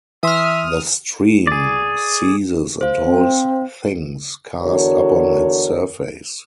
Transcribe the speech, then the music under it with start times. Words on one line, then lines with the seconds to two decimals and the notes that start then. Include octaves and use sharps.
The stream seizes and holds things cast upon its surface.
0.23 E3 E5 C6 D#6 F6
1.47 G#4 D5
2.81 C5 F5
3.05 C4
4.63 E2 D3 F#4 A#4 C#5